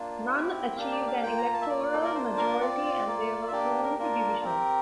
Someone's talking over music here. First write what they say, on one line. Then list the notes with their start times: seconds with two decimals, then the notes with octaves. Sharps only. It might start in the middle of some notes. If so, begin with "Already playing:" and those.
None achieved an electoral majority and they were prone to divisions.
Already playing: A#3 D4 F4
0.31 C4 E4 G4
0.77 A#3 D4 G4 F5
0.92 D5
1.07 F5
1.22 A#3 F4 G5
1.38 A#5
1.53 A5
1.61 E5
1.69 A#3 F4 D5
1.93 A4
2.04 A#4
2.15 A#3 D4 F4 C5
2.37 A#4
2.60 C4 F4 D5
3.07 A#3 F4
3.47 E5
3.52 A#3 D4 G4 D5
3.83 A#4
3.98 A#3 D4 F4 A#4
4.44 C4 G4 A#4